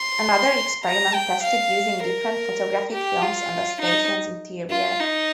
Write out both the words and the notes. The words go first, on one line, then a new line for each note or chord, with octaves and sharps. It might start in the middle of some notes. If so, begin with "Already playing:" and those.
Another experiment tested using different photographic films on the station's interior.
Already playing: C6
A#5
G5
F5
A#4
G4
F4
D#4
F4
D#4